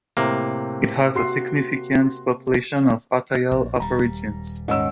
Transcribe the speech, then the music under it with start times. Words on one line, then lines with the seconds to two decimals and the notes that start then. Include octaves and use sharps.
It has a significant population of Atayal aborigines.
0.17 A2 C3 A#3
1.15 F#4 C6 C7
3.51 A#1
3.80 D#1 G3 A#5
4.68 G#2 D#3 C#4 D#5 E6